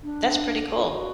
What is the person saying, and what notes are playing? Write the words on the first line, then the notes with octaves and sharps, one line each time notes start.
That's pretty cool.
D4
F#4